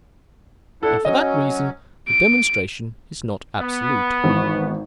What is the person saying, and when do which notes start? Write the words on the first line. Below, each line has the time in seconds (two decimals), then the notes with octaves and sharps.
And, for that reason, the demonstration is not absolute.
0.83 D4 E4 A4 F#5
1.05 F#3 C#4 D#5
2.08 D7
3.59 B3
4.24 G#1 E3 C#6